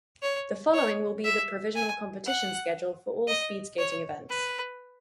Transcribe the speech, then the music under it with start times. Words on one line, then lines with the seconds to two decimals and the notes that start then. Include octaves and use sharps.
The following will be the provisional competition schedule for all speed skating events.
0.22 C#5
0.73 C#5
1.24 E5
1.75 G#5
2.26 F#5
3.27 D#5
3.78 C#5
4.29 B4